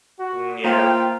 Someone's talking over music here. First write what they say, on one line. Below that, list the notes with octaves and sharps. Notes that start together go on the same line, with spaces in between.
Mm, yeah.
F#4
A#3 F4 C5 G5 A#5